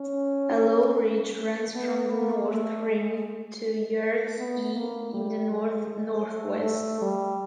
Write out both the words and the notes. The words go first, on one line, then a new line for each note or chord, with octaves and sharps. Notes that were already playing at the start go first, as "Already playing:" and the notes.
A low ridge runs from the north rim to Yerkes E in the north-northwest.
Already playing: C#4
B3
A#3
A3
G#3
B3
A#3
G3
G#3
G#3
A3
A3
G3